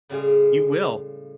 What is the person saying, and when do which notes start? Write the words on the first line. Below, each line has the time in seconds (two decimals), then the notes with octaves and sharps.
you will.
0.10 A2 C#3 G3 G#3 G#4 F5